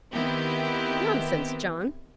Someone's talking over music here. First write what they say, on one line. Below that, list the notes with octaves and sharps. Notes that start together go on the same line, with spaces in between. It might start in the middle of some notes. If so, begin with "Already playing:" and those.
'Nonsense, John.
D#3 B3 C4 E4 G4